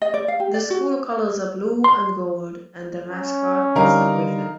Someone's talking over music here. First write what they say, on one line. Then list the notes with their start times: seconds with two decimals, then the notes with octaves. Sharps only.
The school colors are blue and gold and their mascot is the Griffin.
0.02 D#5
0.14 D5
0.28 F5
0.40 G4
0.54 D5
0.70 F#4
1.84 C6
3.10 C#4
3.75 D3 G3 D#4 A#4 F5